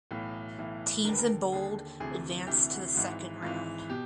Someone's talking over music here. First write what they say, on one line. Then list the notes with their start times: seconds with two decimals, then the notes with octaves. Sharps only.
Teams in Bold advanced to the second round.
0.11 B1 A2 E3
0.58 B1 A2 E3
1.05 D3 A#4
1.09 D#2 B4
1.19 A#4
1.52 D#2 D3 G#4
2.00 D2 C3 E3 G#4
2.47 D2 C3 E3 G4
2.72 F#4
2.94 G#1 G#2 E3 F#4
3.42 G#1 G#2 E3 F4
3.90 B2 G4